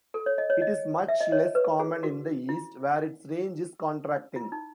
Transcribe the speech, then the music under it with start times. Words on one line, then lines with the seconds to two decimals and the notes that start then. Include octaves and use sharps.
It is much less common in the east, where its range is contracting.
0.14 A4
0.26 C#5
0.38 D#5
0.50 C#5
0.62 D#5
1.08 E5
1.21 D#5
1.32 C#5
1.55 B4
1.79 G#4
2.03 F#4
2.49 E4
4.36 E4
4.52 D#4